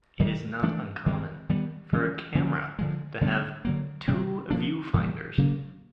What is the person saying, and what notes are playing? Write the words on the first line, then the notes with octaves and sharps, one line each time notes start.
It is not uncommon for a camera to have two viewfinders.
C3 D#3 G3
E3 A3 D4
D#3 G#3 C4
D#3 G3 B3
E3 G#3 C#4
D3 F3 A#3 C#4
D3 F3 G#3
D3 G3 B3 D4
D3 F#3 A#3
C3 D#3 G3 C4
F3 A#3 D4
A2 E3 G3 A#3
C#3 F#3 A#3